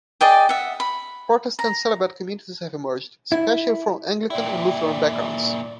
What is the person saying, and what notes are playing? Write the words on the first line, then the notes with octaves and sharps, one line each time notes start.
Protestant celibate communities have emerged, especially from Anglican and Lutheran backgrounds.
G#4 D5 D#5 G5
E5 F#5
B5
A#5
E4
A#2 E4 D5 E5 G5
D5